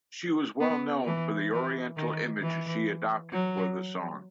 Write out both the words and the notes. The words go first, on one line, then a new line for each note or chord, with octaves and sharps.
She was well known for the Oriental image she adopted for the song.
B3
E3
E3
D#3
E3
F#3